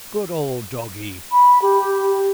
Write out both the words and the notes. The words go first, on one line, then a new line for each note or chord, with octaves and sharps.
Good old doggy!
B5
G4